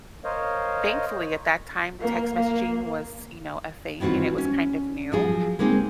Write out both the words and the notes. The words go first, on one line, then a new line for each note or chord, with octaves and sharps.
thankfully, at that time, text messaging was, you know, a thing, and it was kind of new.
A#4 C5 C#5 D#5 F5
A#3
A#3
D#3 E3 C4 F4 F#4
C#4
F3 F#3 G#4
G#3 A#3 C4 D#4 G#4